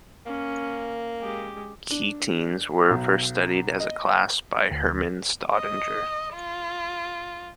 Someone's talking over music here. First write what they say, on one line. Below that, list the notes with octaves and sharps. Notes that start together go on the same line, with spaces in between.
Ketenes were first studied as a class by Hermann Staudinger.
A#3 C#4
G#3 G4
D4
B1
D#5
D2
D#5
F4